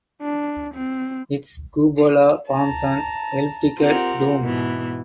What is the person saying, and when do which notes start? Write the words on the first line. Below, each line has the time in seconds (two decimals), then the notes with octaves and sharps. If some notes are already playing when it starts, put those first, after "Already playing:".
Its cupola forms an elliptical dome.
0.22 D4
0.74 C4
2.51 A5 A#5
3.79 C4 F4 G4 A#4 F#5
4.41 G#2 B2 E3